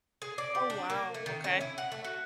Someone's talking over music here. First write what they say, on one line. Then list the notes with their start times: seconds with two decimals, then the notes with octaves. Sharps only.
Oh, wow. Okay.
0.22 G#4
0.38 D5
0.55 G4
0.70 D4
0.90 A#3
1.14 A3
1.26 D#3
1.44 C#4
1.61 E4
1.78 F#5
1.92 A3
2.04 F#4